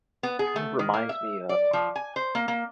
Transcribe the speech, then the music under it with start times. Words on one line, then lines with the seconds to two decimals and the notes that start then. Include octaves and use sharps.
It kind of reminds me of
0.23 B3
0.39 G#4
0.56 A3
0.79 D#3
0.94 A#3
1.09 E5
1.49 D5
1.73 F3
1.96 G#5
2.16 C5
2.35 A#3
2.48 A#3